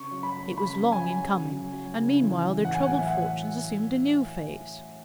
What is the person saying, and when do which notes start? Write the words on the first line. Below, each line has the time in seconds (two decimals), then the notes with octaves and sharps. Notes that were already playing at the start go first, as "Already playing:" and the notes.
It was long in coming, and meanwhile their troubled fortunes assumed a new phase.
Already playing: C#3 C#6
0.11 F#3
0.23 B5
0.34 F#3
0.57 C#3 B5
0.80 F#3
0.92 G#5
1.04 F#3
1.27 C#3
1.50 F#3
1.72 F#3
1.95 C#3
2.19 E3
2.41 E3
2.65 A2 F#5
2.75 G#5
2.83 F#5
2.88 F#3
2.99 E5
3.07 F#5